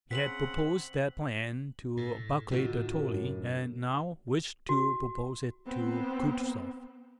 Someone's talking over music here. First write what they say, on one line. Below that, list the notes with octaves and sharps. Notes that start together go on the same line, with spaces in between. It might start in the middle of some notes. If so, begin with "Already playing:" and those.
He had proposed that plan to Barclay de Tolly and now wished to propose it to Kutuzov.
C#3 C4 F#5 B6 F#7
A2
A2 D3 D#4 F4 F#4
F#2
F#4
B3 C4